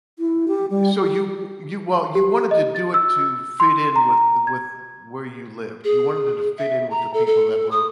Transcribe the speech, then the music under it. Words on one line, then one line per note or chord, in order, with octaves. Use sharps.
w so you w you well, you wanted to do it to fit in with the with where you lived. You wanted it to fit in with the people that were
E4
G4
G3
G4
G4
D#5
A6
E6
C6
A#5
G#6
G#4
E5
A#5
A4
A4
D#6